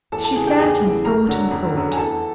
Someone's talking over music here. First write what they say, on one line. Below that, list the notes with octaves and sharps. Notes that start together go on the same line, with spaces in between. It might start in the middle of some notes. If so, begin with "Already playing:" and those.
She sat, and thought, and thought.
E2 A4 A5
A4 A5
C#3 E3 G#4 G#5
G4 G5
A5
E2 G#4 G#5
C#3 E3
F2 A#4 A#5
D3 F#3
F2
D3 F#3
G#5
E2 A4 A5